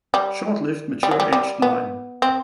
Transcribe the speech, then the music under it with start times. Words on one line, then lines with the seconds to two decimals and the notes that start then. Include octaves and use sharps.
Short-lived mature-aged line.
0.14 G3
1.03 G3
1.11 F#3
1.20 G3
1.33 G3
1.62 B3
2.22 C4